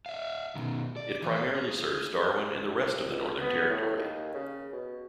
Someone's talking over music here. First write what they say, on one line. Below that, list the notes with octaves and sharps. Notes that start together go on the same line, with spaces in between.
It primarily serves Darwin and the rest of the Northern Territory.
E5 F5
B2 D#3
D5
E3
F5
G#4
C2
C#2
B3
A2
D#2
C#3
B2